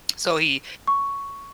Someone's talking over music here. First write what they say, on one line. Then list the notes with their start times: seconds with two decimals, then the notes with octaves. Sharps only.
So he
0.87 C#6